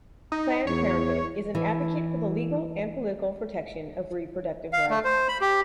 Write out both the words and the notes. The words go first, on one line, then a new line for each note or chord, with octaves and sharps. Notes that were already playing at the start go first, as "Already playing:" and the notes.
Planned Parenthood is an advocate for the legal and political protection of reproductive rights.
D#4
E2 C#5
E3
F5
A3
C5
B5
G4